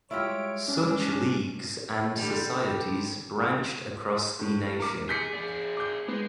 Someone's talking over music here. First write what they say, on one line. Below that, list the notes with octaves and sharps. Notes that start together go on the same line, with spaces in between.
Such leagues and societies branched across the nation.
G3 G#3 E4 F4 G4 C#5 D7
C#4 D4
D3 G3
A2
A#4 D6
G#4 G6 B6 C#7
D4 G#4
D6 G6
G#3 B3